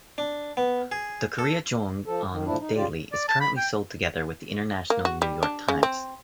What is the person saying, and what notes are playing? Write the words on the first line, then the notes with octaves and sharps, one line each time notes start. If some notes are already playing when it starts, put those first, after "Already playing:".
The "Korea JoongAng Daily" is currently sold together with the "International New York Times".
D4
B3
G#4
A4
F3 A4
D#3
A2 F3 D4 E4
D#4
C#3 F4 G4 D5
D5
A5
B5
G5
A#3
F#4
G3
D4
C#3
C4